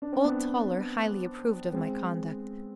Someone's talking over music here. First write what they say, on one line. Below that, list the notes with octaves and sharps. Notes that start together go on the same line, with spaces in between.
Old Toller highly approved of my conduct.
D4
C4
B3 D4
G#3 C4